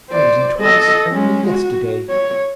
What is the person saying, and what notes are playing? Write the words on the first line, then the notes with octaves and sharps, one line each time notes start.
I was in twice only yesterday.
C5 D5
A4 D#5
G#3 C#4
F#4
C#5